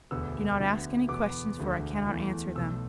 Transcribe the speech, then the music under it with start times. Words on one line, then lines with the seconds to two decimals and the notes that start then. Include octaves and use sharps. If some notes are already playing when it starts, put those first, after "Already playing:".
Do not ask any questions, for I cannot answer them.
0.11 E1 D2 D3 B3 E6
0.60 D2 D3 B3
1.08 E2 B2 B3 D6
1.58 E1 D2 D3 A3
2.06 E2 E3 A3
2.55 B1 B2 A3 E6